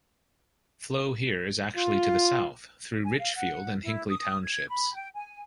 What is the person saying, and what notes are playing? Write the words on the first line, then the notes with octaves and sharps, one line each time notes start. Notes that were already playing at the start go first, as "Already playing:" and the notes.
Flow here is actually to the south, through Richfield and Hinckley Townships.
F4
G#5
F5
F#5
E4
D#6
G#6
B5
G5
G#5